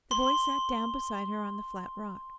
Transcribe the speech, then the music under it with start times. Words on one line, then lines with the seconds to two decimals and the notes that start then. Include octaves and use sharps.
The boy sat down beside her on the flat rock.
0.11 C6 G7